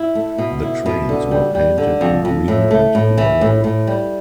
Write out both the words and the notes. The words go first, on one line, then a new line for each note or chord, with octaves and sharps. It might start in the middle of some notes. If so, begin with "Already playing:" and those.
The trains were painted in green and yellow.
Already playing: E4
A3
B2
E4
B2
D3
G3
G3
D3
F2
F2
A2
A3
A2
E3
A2
A2
G3